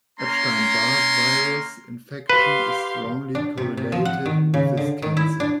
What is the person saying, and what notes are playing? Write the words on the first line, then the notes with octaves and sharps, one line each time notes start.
Epstein-Barr virus infection is strongly correlated with this cancer.
A#3 C#4 A#5 C6
G4 B4 F5 C6
D4
C3
C3
F3
F#5
D#3
C#3
D3
D#3
E4
D4